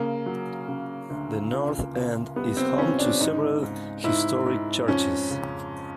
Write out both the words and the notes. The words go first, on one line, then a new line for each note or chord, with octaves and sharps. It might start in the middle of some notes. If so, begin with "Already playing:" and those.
The North End is home to several historic churches.
Already playing: C#3 A#3
F#3
C#3
D2
C#2
C#2
G3 B3
C4
C#2 C#4
D4
G#2 D#4
G#2
G#2 E4
G#2
F2 C#4
C#3